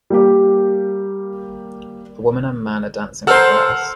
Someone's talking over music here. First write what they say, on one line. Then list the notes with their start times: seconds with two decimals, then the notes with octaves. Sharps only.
A woman and man are dancing on grass.
0.10 G3 A#3 G4
3.27 A4 A#4 C5 F#5 E6 F6